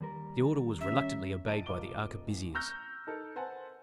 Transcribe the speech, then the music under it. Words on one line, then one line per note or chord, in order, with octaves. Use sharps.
The order was reluctantly obeyed by the arquebusiers.
D#2 G3 A#4
C#4 E5
A#1 D#5 A5 D7 D#7
D#1 F4 A#4 D#5 D6 G7
A1
A#5 C#6 E6 F6 G6 A#6
D#4 A4 A#4
B4 C5 F#5 G#5 A5